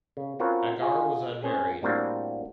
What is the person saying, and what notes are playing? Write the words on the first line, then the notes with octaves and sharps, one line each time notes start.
Agar was unmarried.
C#3
C4 C#4 F4 F#4 A#4 B4
F4 F#4 G#4 D#5
C4 C#4 G#4 G#5
A2 G3 A#3 C4 D4 F#4